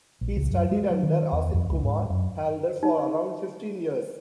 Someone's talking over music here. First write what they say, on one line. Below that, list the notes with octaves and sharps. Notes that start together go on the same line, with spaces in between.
He studied under Asit Kumar Haldar for around fifteen years.
A#1
C#2
F#2
G#3
F#3
D#3
E2
F2
C#2
G#2
F#2
D#4